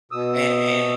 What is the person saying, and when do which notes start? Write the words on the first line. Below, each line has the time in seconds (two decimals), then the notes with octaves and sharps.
And and,
0.12 B2 D#6 E6